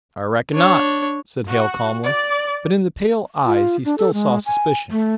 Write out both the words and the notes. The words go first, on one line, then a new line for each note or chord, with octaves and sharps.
"I reckon not," said Hale calmly, but in the pale eyes he still saw suspicion.
D4 C#5
F#4
D5
F4
D4
A4
G#3
G#5
A3